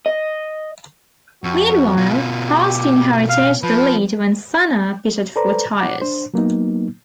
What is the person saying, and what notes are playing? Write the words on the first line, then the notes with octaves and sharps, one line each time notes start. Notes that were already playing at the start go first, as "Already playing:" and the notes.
Meanwhile, Prost inherited the lead when Senna pitted for tyres.
D#5
F2 F#4
B2 F4
G4
F5
F3 B4
A4 B4 C5 D5 A#5
F#5 D6
D4 C5
F#3 A#3 B3 D#4